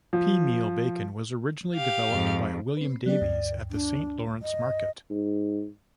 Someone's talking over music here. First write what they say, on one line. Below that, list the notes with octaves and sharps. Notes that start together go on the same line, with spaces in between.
Peameal bacon was originally developed by William Davies at the Saint Lawrence Market.
F3
G4 F5
F2 G#2
C4 B4
F#3 B3 G4 D5
D2 G2
D4
D#5
G#2